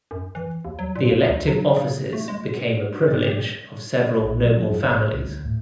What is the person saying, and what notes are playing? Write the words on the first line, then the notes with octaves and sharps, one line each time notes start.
The elective offices became a privilege of several noble families.
F#2
E3
D#2
F#3
A#2
D#2
D2
F#3
C#3
A3
G#3
D4 F#4
G#2 C#3 G#3 D5 G5 A6
A#1
F#3
F3
F#2
G#1
A2
C#2
D2
A2